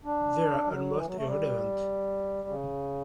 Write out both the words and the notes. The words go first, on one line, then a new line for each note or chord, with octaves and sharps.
They are almost irrelevant.
D4
F#3
E3
F#3
A3
G3
C#3